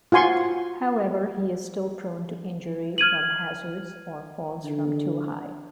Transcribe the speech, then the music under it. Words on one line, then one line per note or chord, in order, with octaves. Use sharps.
However, he is still prone to injury from hazards or falls from too high.
F4 F#4 G#5 C6 C#6
F6 G#6 D#7 F#7
D3